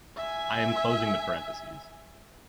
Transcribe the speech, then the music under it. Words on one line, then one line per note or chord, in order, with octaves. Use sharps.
I am closing the parentheses.
E5 G#5